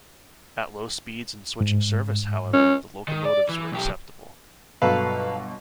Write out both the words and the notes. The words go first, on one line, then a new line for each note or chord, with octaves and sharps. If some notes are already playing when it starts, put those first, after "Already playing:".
At low speeds in switching service, however, the locomotives were acceptable.
G#2
C#4
D#3
D5
E3
B1 G4
G1 B2 F#3 A4 B4 F5